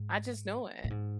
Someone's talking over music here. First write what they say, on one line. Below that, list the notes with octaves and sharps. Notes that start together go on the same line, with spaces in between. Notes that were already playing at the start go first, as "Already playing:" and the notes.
I just know it.
Already playing: G#2
A2
G#2